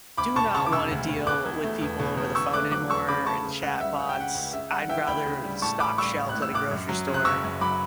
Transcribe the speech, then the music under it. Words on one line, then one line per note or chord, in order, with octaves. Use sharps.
do not wanna deal with people over the phone anymore chatbots, I'd rather stock shelves at a grocery store.
D2 B5 D6
E1 A5 C#6
C#3 A5 C#6
D6
E1 C#6 E6
D2
E1
B2 D6 F#6
E2
A3
E2
B2
E2
C#3 C#6 E6
A3 D6 F#6
F#3 D6 F#6
E2 C#6 E6
C#3 B5 D6
A3 A5 C#6
C#3
C#2 F#5
G3 E5
C#2 F#5
G5
C#3 F#5
C#2
C#3 E5
G3 F#5
E3 E5 G5
D2 G5 B5
C#3
G3
A2 A5 C#6
A1 B5 D6
G3 C#6 E6
A1
F#6
A2
E6
A1 D6 F#6
F#2
F#3
C#3
F#6
F#1 C#6 E6
F#2
F#3 B5 D6